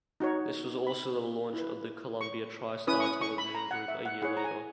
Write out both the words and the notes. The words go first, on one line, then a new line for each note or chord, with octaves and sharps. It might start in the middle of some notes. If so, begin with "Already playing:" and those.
This was also the launch of the Columbia TriStar Television Group a year later.
D#4 F#4 C#5
B5
E4 B4
C#6
C#4 E4 B4 D#6
C#6
D#6
C#6
B5
A#5
F#5
E5
F#5
E4 G#4 C#5 F#5
A#5
G#5